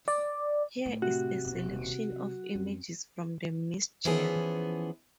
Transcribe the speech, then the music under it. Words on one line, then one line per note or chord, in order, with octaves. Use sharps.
Here is a selection of images from the Ms. Germ.
D5
A2
C3 F#4
D#1 B2
F#3
F#2 C4
E3 F3 B3 C#4 G#4